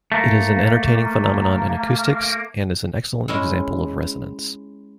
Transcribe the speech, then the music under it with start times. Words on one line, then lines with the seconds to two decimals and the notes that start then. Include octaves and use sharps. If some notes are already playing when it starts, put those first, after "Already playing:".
It is an entertaining phenomenon in acoustics and is an excellent example of resonance.
0.12 A3 A#3
3.28 G#3 C#4 E4